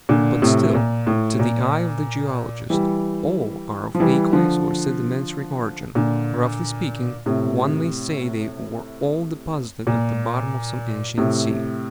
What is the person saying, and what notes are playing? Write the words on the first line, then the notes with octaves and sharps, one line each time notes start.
But still, to the eye of the geologist, all are of aqueous or sedimentary origin: roughly speaking, one may say they were all deposited at the bottom of some ancient sea.
A#2 D3
A2 C3
A#2
A2
A#2
E3 G3
F3
E3 G3
D3 F3
A#2 D3
A2 C3
A#2
A2 C3